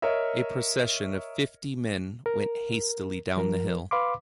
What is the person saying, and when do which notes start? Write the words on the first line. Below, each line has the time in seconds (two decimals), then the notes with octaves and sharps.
A procession of fifty men went hastily down the hill.
0.02 A#4 C#5 D#5 E5
2.26 A#4
3.37 F3 A#4
3.91 B4 F5 B5 C6 D6